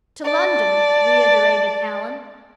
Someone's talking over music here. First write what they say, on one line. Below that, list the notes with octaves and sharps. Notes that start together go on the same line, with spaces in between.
"To London!" reiterated Allan.
D5 A5